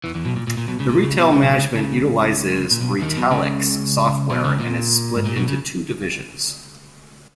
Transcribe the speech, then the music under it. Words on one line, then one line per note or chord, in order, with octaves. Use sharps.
The retail management utilizes Retalix software and is split into two divisions.
E2 E3
E2 E3
B1 B2
A#2
A#2
A#2
B1 B2
C#2 C#3
A#2
C#2 C#3
B1 B2
C#2 C#3
B1 B2
C#2 C#3
C#2 C#3
A#2
B1 B2
D#2 D#3
B1 B2
C#2 C#3
B1 B2
C#2 C#3
A#2
G#2
A#2
B1 B2
C#3